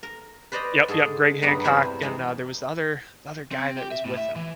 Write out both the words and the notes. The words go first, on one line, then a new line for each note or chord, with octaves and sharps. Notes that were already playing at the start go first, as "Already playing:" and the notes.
Yup, yup, Greg Hancock, and, uh, there was the other the other guy that was with him.
A#4
B4 C5 D5 D#5 A#5 B5
G#2 G#4 A4 C6
G2 F#3 G3 B3 D#4
E2 C3 E3 E4 C5 B5
C3 E3 G#3
C4
G4
E5
A2
E5
E3